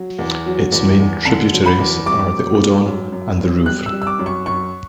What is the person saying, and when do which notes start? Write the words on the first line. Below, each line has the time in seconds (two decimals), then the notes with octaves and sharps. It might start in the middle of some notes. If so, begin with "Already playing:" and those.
Its main tributaries are the Odon and the Rouvre.
Already playing: F#3
0.19 E2
0.46 F#3
0.72 E2
1.00 E2
1.25 D3 A5
1.53 F#3
1.66 B5
1.79 E2
2.06 G3 D6
2.33 F#2
2.60 G3
2.86 F#2
3.12 F#2
3.40 F#2
3.66 G3 F#6
3.86 E6
3.92 G3
4.02 E6
4.07 D6
4.19 F#2
4.26 C#6
4.46 F#2 C#6